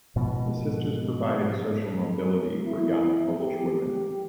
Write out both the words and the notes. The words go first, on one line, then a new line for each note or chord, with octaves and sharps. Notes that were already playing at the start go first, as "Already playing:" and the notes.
The sisters provided social mobility for young Polish women.
G#2 B2 F3
E4
G4